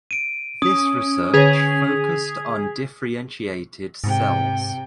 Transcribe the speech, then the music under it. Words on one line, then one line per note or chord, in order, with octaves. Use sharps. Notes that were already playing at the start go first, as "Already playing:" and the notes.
This research focused on differentiated cells.
D7 D#7
C#4 D#6
D3 G#4 C#5 G#6 B6 F7
G#2 C3 G5